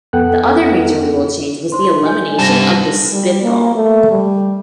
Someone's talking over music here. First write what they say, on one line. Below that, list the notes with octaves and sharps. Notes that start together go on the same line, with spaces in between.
The other major rule change was the elimination of the spitball.
F2 B3 A4 F#5 G5 F#6
C5 C6
G#5 G6
G2 C3 F#4 A4 A#6 E7
G3
A#3
A3
G3